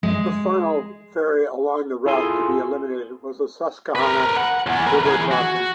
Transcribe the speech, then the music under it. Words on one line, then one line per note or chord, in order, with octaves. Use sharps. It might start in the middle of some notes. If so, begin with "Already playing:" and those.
The final ferry along the route to be eliminated was the Susquehanna River crossing.
G#3
E4 F4 G#4 A4 G#5 C6
A#4 B4
F#5
E2
A#4 B4
E3 G#4
F#4